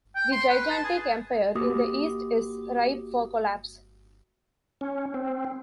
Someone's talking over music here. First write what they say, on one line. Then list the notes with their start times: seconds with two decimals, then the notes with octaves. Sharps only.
The gigantic empire in the East is ripe for collapse.
0.15 G5
0.32 C6
0.49 B4
0.70 A5
0.84 G#4
1.55 A#3 F#4 G4 D6 D#6
4.81 C#4
5.14 C4